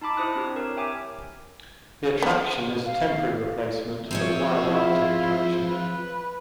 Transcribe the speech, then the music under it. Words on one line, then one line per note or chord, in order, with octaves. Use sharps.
The attraction is a temporary replacement for the Wild Arctic attraction.
D#4 A5 B5 D6
E4 C5 D#6 F#6
C4 D4 G4
A#4 C#5
E5 G5 G#5 D6
B3
F5
F3 C4 G#4 C#5 E5
E4 F4
B4